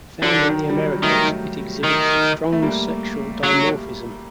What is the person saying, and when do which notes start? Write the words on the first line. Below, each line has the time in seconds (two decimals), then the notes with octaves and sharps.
Found in the Americas, it exhibits strong sexual dimorphism.
0.22 D3 F#3
0.42 F#3
0.49 D#3
0.70 G3
0.75 F#3
0.94 G3
1.03 D#3 F#3 A3
1.83 D#3
2.53 A3
2.62 G3 A#3
3.43 F#3